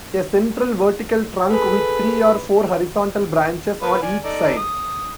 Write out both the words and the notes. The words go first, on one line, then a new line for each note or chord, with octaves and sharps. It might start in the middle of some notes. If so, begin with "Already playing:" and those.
A central vertical trunk with three or four horizontal branches on each side.
G#4 A4 B4
A#3 B3 B4
D5 G#5
D#4 A4 D5
D#6